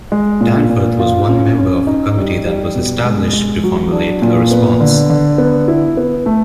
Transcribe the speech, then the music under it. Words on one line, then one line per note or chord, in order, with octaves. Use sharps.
Danforth was one member of a committee that was established to formulate a response.
G#3
A#2
A#2
F4
C#4
C#4
D#4
G3
G3
B2
G#3
G#3
F#3
D4
A#2
B3
D3
D3
B3
E4
B3
A3